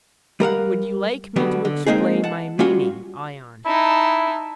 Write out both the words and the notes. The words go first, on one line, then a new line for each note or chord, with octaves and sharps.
Would you like me to explain my meaning, Ion?
G3 A#4 F5 F#5
D3 F#3 G3 B3
D3
G#3 A#3 C4 D#4 G#4
F#5 A5
G3 C#4 F4 F#4
D#4 E4 A5